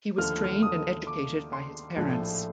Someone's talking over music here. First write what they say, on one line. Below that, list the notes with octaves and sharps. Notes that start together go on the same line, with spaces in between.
He was trained and educated by his parents.
D#2 D3 F3 A3 F6
F6
D#6
D6
C6
A#1 A2 F3 A3